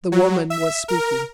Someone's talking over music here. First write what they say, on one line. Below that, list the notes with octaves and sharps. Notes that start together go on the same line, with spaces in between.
The woman was speaking.
F#3
E5
A#4